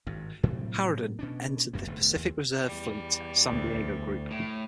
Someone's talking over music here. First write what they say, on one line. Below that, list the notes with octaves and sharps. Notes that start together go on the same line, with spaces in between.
"Haraden" entered the Pacific Reserve Fleet, San Diego Group.
G#1 G2
A2 C3 F#3 G3
B2 C#4 D4
F1 C2 F#2 A#3
E1 D3 A3
D#2
E2 G3
D2
A2